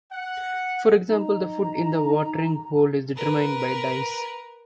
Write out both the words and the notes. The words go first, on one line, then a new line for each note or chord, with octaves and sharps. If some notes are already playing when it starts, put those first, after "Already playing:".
For example the food in the watering hole is determined by dice.
F#5
D#4 A#5
A#4 B4